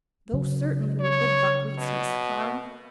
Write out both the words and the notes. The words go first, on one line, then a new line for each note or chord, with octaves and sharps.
Those certainly were good buckwheats, Miss Cloud.
C#3 F#3
C#5
B2